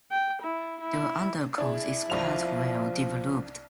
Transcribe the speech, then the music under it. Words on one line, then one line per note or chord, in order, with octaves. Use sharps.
The undercoat is quite well developed.
G5
E4
E4
D4 E4 G#4
C2 F3 D4 F7